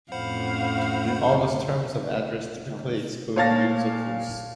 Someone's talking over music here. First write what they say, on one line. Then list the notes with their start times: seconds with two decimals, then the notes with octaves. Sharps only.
All those terms of address typically exclude the use of "vous".
0.12 F2 A2 C#4 C5 F5 F#5 B5
3.36 A#2 C#5 F5 A5 A6 A#6